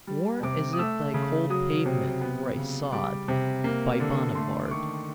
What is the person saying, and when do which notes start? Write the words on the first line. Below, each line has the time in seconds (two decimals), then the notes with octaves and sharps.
Worn as if thy cold pavement were a sod, By Bonnivard!
0.07 G3
0.43 C3 D6
0.73 D#6
0.79 A3 E6
1.14 C#3
1.50 F#3 D#6
1.86 C3
2.21 B3
2.57 C#3
2.92 G3 D6
3.28 C3
3.64 A#3
4.00 D3
4.35 A3 C6
4.66 D6
4.71 D#3 C#6